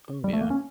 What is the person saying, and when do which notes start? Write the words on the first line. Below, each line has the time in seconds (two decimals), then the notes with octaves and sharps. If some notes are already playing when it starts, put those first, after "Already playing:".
Oh, yeah.
0.24 G3
0.33 A3
0.41 A#3
0.50 C#4